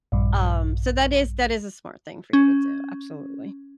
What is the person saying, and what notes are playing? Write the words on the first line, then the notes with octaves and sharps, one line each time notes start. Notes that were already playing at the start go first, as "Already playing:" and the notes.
um, so, that is that is a smart thing for you to do, absolutely.
A#1 G2
C#4